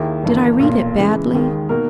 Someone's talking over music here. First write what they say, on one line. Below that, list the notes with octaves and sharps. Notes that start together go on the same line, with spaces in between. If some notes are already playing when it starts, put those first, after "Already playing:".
Did I read it badly?
Already playing: D#2 D#3 A#3 E4 G#4
G1 G2 E3 A#3
B1 A#2 A#3
C#3 E3 G#3
D#2 D#3 G#3
B2 A#3 D#4 A#4